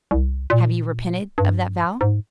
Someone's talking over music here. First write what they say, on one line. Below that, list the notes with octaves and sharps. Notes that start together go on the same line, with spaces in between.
Have you repented of that vow?
C2
A#2
G2
G#2